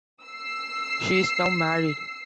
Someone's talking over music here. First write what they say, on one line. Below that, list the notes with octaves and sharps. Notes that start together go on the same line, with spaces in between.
She is now married.
E6 C7